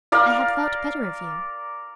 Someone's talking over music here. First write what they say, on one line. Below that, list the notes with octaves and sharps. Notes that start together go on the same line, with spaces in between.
"I had thought better of you."
A#4 D5 F5